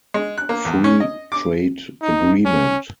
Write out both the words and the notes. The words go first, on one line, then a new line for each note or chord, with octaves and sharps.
Free Trade Agreement.
G#3
F#6
A#3
E2
C#4
D#5
D6
D#4
C#4